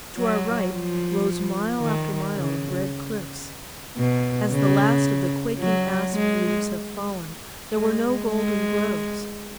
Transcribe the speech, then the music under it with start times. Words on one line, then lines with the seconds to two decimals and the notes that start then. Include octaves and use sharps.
To our right rose mile after mile of red cliffs. As the last of the quaking asp leaves have fallen, there were no golden groves.
0.17 F#3
0.71 F3
1.80 D#3
2.34 C#3
3.97 B2
4.51 C#3
5.59 F#3
6.13 G#3
7.76 G#3
8.31 G#3